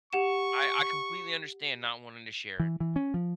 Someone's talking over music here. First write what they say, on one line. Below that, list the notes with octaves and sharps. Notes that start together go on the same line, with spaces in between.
I I completely understand not wanting to share.
G4 F#5 C#6 E7
E3
E3
C#4
F3